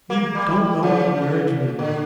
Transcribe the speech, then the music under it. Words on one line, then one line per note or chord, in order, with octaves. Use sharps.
"You don't know what marriage means!"
A#3
G3
C#3
D3